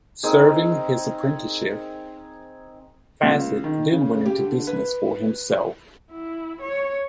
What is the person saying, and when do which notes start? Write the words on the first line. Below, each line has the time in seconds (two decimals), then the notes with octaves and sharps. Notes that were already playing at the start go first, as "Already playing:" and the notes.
Serving his apprenticeship, Fassett then went into business for himself.
0.23 C4 D#4 G#4 A#4
3.23 C#2
3.64 D#3
3.91 C#3
4.25 G4
4.39 D3
4.67 B4
6.11 E4
6.61 C#5